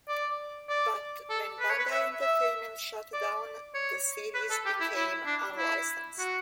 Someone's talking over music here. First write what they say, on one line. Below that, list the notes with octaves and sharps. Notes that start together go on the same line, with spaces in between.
But, when Bandai Entertainment shut down, the series became unlicensed.
D5
D5
A4
B4
C#5
B4
E5
E5
D5
C#5
B4
A4
G4
E4
E4
D4
E4
F#4